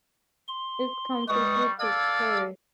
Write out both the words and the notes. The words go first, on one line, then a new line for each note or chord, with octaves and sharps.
Its county seat is Perry.
C6
G3 G#3 B4 C#6 D#6
A4 D5 F5 E6 G#6